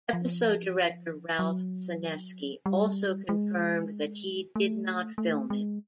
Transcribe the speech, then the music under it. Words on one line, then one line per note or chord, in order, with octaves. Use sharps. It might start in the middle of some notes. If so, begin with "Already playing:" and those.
Episode director Ralph Senesky also confirmed that he did not film it.
F3
F#3
G3
G#3
A3
A3
G#3